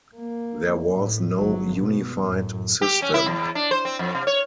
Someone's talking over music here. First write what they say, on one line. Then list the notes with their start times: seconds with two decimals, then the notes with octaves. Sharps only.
There was no unified system.
0.15 A#3
0.95 A2
1.38 G1 F#3
1.76 B2
2.24 F#2 A2
2.82 G4
3.02 C#4
3.14 E4
3.26 E2
3.55 D4
3.71 C5
3.85 C4
3.99 F2
4.15 C3
4.27 C#5